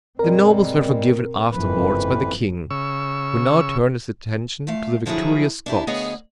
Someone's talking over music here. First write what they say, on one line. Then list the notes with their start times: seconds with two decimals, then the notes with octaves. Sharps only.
The nobles were forgiven afterwards by the king, who now turned his attention to the victorious Scots.
0.19 G1 B2 G3 G#3 C4 A#4
1.51 F#1 F2 G#2 E3 F3 B4
2.71 C#3 C#6 E6
4.67 A#2 A3 F5
5.06 D3 F3 F#3 E4 G#4
5.66 D4 E4 G4
5.87 D2 B3 G#4 C#5 D#5 F5